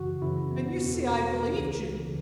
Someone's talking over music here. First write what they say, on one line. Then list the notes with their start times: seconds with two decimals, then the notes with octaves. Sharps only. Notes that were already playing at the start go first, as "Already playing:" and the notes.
And you see I believed you.
Already playing: F#2 C#3 E3 F#4
0.22 F#2 C#3 E3 E4
0.37 C#4
0.51 B3
0.66 E2 B2 B3
0.80 F#4
0.94 A4
1.10 E2 B2 F#4
1.53 C#2 C#3 E3 C#4
1.74 A4
1.99 C#3 E3